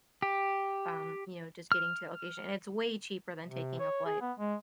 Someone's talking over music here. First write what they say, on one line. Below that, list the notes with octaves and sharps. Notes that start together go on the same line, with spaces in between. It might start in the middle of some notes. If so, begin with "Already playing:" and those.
um, you know, just getting to the location and it's way cheaper than taking a flight.
G4
F6
C3
C#5
G#4
B3
G#3